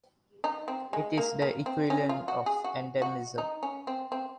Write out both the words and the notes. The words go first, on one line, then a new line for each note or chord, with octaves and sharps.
It is the equivalent of "endemism".
D#4
C4
G#3
A#3
A#3
C4
C#4
F4
F#4
G#4
F#4
F#4
D#4
C#4
C4
C4